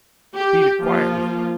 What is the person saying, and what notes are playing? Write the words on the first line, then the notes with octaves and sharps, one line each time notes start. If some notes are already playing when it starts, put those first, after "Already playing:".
"Beat it quietly."
G4
F3 A#3 F4